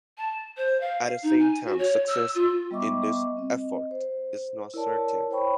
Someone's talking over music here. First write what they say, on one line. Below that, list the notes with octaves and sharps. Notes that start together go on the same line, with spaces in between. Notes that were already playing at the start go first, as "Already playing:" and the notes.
At the same time success in this effort is not certain.
A5
C5
F5
D#4
G#5
F#4
C#5
E6
F4
G3 B3 D#5 E5 C#6 D6
C4 D#5
C5
E4 A#4 C#5 D5 A5
C5 C#5 G5 B5 C#6